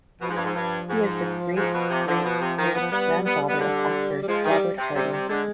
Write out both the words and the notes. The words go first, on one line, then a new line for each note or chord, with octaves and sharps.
He is the great-great-great grandfather of actor Robert Hardy.
B2 F3
G#2
G2
G#2
G2
G#2
G#2 F3
B2
C3
D3
B2
C3
D#3
B3
F3
G3 B3
B3
B3
D3
G3
F3 G#3
D#3
G3
C3
C3 G3
C3
D3 G#3